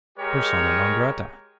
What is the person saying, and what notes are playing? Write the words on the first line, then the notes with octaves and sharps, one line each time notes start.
Persona non grata.
G#3 G4 A#4 C#5